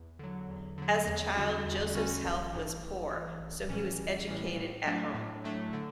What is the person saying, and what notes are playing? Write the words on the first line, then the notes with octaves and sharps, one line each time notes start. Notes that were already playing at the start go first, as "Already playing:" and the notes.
As a child, Joseph's health was poor, so he was educated at home.
Already playing: E2
D3 F#3
E2
D3 F#3
E2
D3 G3 C#4 F#4
E2
D3 G3 C#4 F#4
A1
G2 E3
A1
G2 E3
A1
A2 E3 G3 C#4
A1
A2 E3 G3 C#4
A2
F#3 A3 D4
A2
F#3 A3 D4
D3